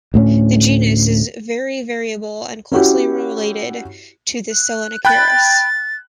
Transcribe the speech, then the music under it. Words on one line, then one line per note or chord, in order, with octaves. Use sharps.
The genus is very variable and closely related to Selenicereus.
D2 A2 A#3 C#4
C#4 E4 F#4 G4
F#6
G5 B5 F#6 A6